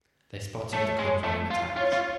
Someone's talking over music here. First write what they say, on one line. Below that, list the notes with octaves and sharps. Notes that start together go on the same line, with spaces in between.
They spotted the convoy and attacked.
A3 C#5
G#3
A3
F4
F4 C#5
F4